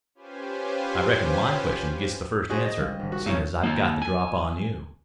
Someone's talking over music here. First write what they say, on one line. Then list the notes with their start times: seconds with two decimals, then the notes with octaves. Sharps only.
"I reckon my question gits the first answer, seeing as I've got the drop on you."
0.15 C#4 F4 G4 B4 C5 G#5
2.50 F#4 G#4 C5
2.65 G#4 D#5
2.78 C#2 G3
2.99 G#1
3.12 F#4
3.26 B1 E3 C#4 G6
3.63 A#3 D#4
4.02 G#5